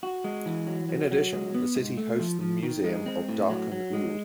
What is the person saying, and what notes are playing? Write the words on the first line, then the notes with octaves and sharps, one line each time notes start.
In addition, the city hosts the Museum of Darkhan-Uul.
F#4
G#3
E3
F#3
F#3
F#3
G#3
B3
G#2
A3
F3
F3
D#3
G#3
C4
A2
F#3
F#3
G#3